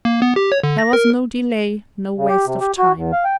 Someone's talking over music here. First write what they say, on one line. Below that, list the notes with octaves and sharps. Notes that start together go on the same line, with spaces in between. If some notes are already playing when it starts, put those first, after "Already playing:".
There was no delay, no waste of time.
A#3
B3
G4
C#5
D3
A#6
A#4
C#3
G4
C3
G4
F#4
E2
F5
G5